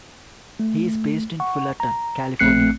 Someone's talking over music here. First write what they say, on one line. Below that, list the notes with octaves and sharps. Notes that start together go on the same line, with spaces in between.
He is based in Fullerton, California.
A3
F#5 C#6
A#5
A#1 A3 C4 F#6 C7 C#7